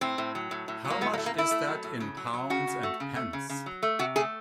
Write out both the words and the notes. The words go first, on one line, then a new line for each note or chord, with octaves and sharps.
How much is that, in pounds and pence?
A2 C4
A2
F#3
A2
A2
F#3
A#3
A2 B3
A#3
A3
A#3
A3 E4
A3
F#3
A2
C#3
F#3
F#3
C#3 F#4
C#3
A3
C#3
A3
C#3
C#3
F#3
A3
C3 F#4
A3 G#4